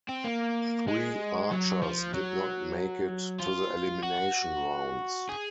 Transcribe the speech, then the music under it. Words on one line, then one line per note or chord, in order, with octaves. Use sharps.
Three archers did not make it to the elimination rounds.
C4
A#3
G#3
F#3
F3
F#3
F4
F#4
G#4